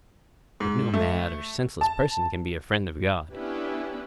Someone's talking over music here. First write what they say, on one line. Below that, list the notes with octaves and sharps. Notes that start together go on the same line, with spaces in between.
But no mad or senseless person can be a friend of God.
G#2
A3
A5
B3 C#4 D4 E4 G4 B4